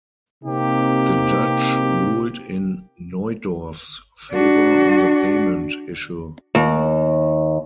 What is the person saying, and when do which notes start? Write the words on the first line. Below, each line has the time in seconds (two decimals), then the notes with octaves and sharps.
The judge ruled in Neudorf's favour on the payment issue.
0.44 C3 A#3 C4 D#4 G4
4.31 D4 F#4
6.55 D#2